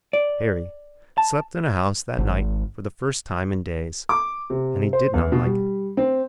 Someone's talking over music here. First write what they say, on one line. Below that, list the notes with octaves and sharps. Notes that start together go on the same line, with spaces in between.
Harry slept in a house that night for the first time in days, and he did not like it.
D5
A5
G#1
D6
C3
C5
E2
B2
G3
C4